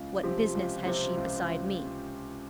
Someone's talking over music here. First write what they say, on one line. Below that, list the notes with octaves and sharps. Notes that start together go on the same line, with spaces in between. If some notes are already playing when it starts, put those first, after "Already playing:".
"What business has she beside me!"
Already playing: C#2
C3 F3 C4 G4
C#2
C3 F3 C4 G4
C#2